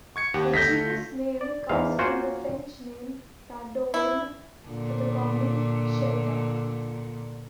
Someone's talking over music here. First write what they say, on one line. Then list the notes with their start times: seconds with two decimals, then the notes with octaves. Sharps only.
The genus name comes from the French name "Tadorne" for the common shelduck.
0.16 C#6 G#6 C#7
0.34 D#2 G4 F#5
0.54 D3 A3 G6 A#6 B6
1.41 D5
1.69 E2 G#2 F5
1.99 A#3 C#4 F4 F#4 C5
3.94 E4
4.67 A#2 D3